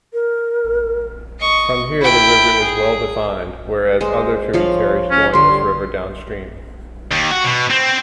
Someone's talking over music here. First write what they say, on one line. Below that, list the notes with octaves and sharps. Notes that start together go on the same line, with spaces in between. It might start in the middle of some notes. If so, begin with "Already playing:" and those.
From here the river is well defined, whereas other tributaries join this river downstream.
A#4
D#5 C#6
E4 G5
G#4
G#3 C5
F3 C#5 F5
C#4
D3 G3 C6
D#2
F#4
B2
C4